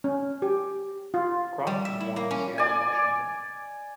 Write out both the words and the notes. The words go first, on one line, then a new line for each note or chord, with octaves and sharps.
Croft was born in Seattle, Washington.
C#4
G4
F4
G3
E5
E4
A#3
C#4
D5 G#5